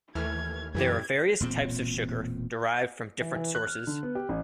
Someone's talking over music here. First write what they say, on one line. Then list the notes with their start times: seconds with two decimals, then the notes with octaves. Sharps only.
There are various types of sugar derived from different sources.
0.15 D#2 E3 A3 F6 G#6
0.75 F#2 C#3 E3 G4 G#6
1.40 E1 A#2 C4
3.21 E3
3.36 E3
3.55 F#6
3.67 F6
3.87 D3
4.03 B3
4.15 G4
4.29 A1